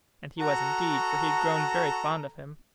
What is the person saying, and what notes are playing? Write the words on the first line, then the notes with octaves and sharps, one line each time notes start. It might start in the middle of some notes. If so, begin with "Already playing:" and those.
And he was indeed, for he had grown very fond of him.
F#4 A4 A#5